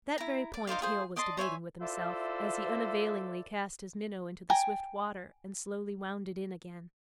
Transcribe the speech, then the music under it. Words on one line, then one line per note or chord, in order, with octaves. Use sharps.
That very point Hale was debating with himself as he unavailingly cast his minnow into the swift water and slowly wound it in again.
E4 A#5
D5
D#4 C5 D5 F5
F4 G#4 C5
D5 D#5 A5 C6
C5 C#5 E5 G#5
E4 F4 A4 C5 D5 E5
G5 G#5 A#5